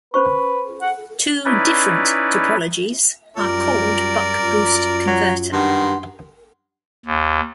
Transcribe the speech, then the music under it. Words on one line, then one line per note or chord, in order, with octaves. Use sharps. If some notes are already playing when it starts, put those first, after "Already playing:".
Two different topologies are called "buck-boost converter".
C#4 B4 C5 C#6
F#5
C#4 D#4 E4 B4 D5
F#2 G3 F4 A#4 D5
F#2 F4
F#3
G2 D#3 F#5 C6
D#2